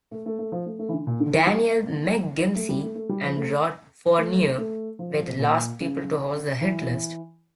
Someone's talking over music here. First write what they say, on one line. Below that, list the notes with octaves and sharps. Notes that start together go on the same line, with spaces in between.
Danielle McGimsie and Rob Fournier, were the last people to host the "Hit List".
A3
A3
A3
F3
A3
A3
E3
D3
A#2
D3
E3
G3
A#3
A3
G3
A3
A3
G3
F3
A3
A3
A3
F3
A#2
C#3
E3